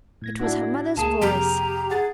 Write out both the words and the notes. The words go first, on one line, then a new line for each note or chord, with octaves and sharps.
It was her mother's voice.
A2 G#6 A#6
D4 E4 F#4
C#2 A#3 G#4 A5
F2 C3 G4 A#5 F6
G#4 F#5 G#5 A6